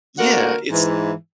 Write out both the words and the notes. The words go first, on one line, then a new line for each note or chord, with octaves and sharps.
Yeah, it's
D3 A#3 F#4 A#4 F#5
G#2 E3